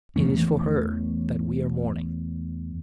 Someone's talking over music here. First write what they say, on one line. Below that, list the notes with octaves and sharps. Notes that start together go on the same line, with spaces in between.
It is for her that we are mourning.
E2 E3 A3 C#4